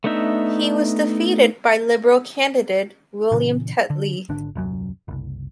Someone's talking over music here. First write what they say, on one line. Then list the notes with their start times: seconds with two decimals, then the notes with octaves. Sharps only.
He was defeated by Liberal candidate William Tetley.
0.04 A3 B3 D4 D#4 E5
3.31 A#2 C#3 E3
3.90 D3
4.29 G#1 D3 D4
4.55 D#1 C2 F#2 F#3
5.08 F#1 C2